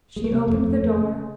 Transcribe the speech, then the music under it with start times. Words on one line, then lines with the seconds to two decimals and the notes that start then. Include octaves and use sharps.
She opened the door.
0.16 G#3
0.24 A3
0.31 C3 A#3
0.47 F2 A3
0.64 F2
0.80 F2
0.96 C#3